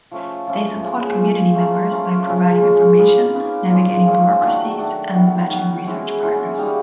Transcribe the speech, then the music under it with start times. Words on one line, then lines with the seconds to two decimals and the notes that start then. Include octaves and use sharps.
They support community members by providing information, navigating bureaucracies, and matching research partners.
0.11 F3 A3 C#4
0.47 F3 A3 C#4
0.82 F3 G#3 C#4
1.18 F3 G#3 C#4
1.55 A3 C#4 F4 A#4
1.90 A3 C#4 F4 A#4
2.27 C#3 F3 G#3 C#4
2.62 C#3 F3 G#3 C#4
2.98 A#3 D#4 G#4 B4
3.34 A#3 D#4 G#4 B4
3.70 A#2 F3 G#3 C#4
4.06 A#2 F3 G#3 C#4
4.42 D#3 F#3 A3 D4
4.78 D#3 F#3 A3 D4
5.14 D#3 F#3 B3
5.49 D#3 F#3 B3
5.85 E3 G#3 C#4 E4
6.22 E3 G#3 C#4 E4
6.58 G3 A#3 D#4 F#4